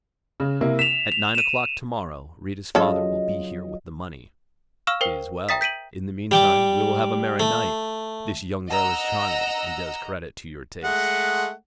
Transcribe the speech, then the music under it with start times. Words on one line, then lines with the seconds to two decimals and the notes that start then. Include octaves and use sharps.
'At nine o'clock to-morrow Rita's father will be here with the money.'--'It is well; in the meantime, we will have a merry night; this young girl is charming, and does credit to your taste.
0.40 C#3
0.61 C3 A#3 E4
0.79 B6 E7 F7
1.12 F7
1.35 D#7 E7
2.75 C#3 F#3 F4 A4 D#5
4.87 F5 C#6 E6 F6 E7
5.01 A#4 C5 G5 C7 G7
5.49 E5 G5 A#5 D#6 A6 B6
5.61 G6 B6 D7 D#7 F#7
6.31 G3 G5 D6
7.40 A3
8.70 D#5 F#5 A#5 E6
10.84 G#3 A3 F#5